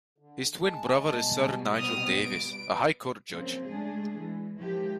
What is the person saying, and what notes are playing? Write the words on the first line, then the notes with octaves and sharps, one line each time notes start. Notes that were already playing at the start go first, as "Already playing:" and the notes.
His twin brother is Sir Nigel Davis a High Court judge.
D3
G#3 A5
B2 G3
C4 D#6 F6
B4 D7
C#3 F3 F#3 A#3 C4
G#3 A3 D4 G#4
E3 G#3
D#3 F3 G#3 E4 G4